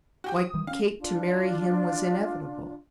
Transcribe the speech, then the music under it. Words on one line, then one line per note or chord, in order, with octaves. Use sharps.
Why, Kate, to marry him was inevitable!
F#4 G4 G5
D#6
D#3 E3 G3
C#4 D4 F5
D4 F4